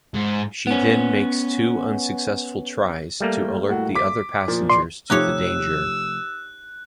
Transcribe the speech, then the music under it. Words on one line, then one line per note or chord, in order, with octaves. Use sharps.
She then makes two unsuccessful tries to alert the other passengers to the danger.
G#2
B3 C#4
G3 A3 A#3
A2 F#4
D6 B6
A#2 F3
D5 C6
C3 F3 A3 D#4 G4 C#5 E6 F#6